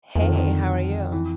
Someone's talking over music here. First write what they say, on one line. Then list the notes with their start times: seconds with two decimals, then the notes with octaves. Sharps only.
Hey, how are you?
0.15 E2
0.21 F2 D#3
0.29 D3
0.36 D#3
1.12 E3